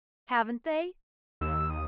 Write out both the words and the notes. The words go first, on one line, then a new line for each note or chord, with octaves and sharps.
Haven't they!
D#2 E6
D#6